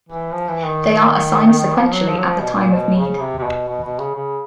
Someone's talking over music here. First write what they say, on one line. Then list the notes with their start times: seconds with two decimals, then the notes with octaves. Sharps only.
They are assigned sequentially at the time of need.
0.09 E3
0.33 F3
0.48 E3
0.65 D#3
1.77 F3
1.92 F#3
2.08 F3
2.18 F#3
2.24 F3
2.40 B2
2.56 A#2
2.72 B2
2.95 C#3
3.19 C3
3.39 C3
3.44 B2
3.68 B2
3.84 B2
3.99 C#3
4.15 C#3